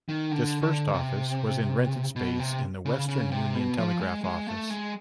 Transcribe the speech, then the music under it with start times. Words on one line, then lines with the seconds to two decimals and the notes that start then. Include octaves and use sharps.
This first office was in rented space in the Western Union Telegraph office.
0.09 D#3
0.31 D3
0.62 D3
0.93 C3
2.16 B2
2.39 C3
2.85 C#3
3.08 C#3
3.32 C3
3.54 B2
3.77 F3
4.00 G#3
4.24 G#3
4.47 A3
4.70 G#3